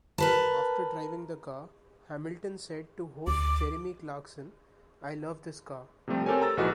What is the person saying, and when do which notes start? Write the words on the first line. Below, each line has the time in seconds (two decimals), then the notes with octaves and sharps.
After driving the car, Hamilton said to host Jeremy Clarkson I love this car.
0.18 A#4 B4 A5
3.27 D2 D6
6.08 C3 F3 G3 A3 C4
6.26 C4 G4 A4 A#4 C#5 G#5
6.42 A#5 E6 A6
6.57 A#1 G#2 E3 F#4 A4 D#5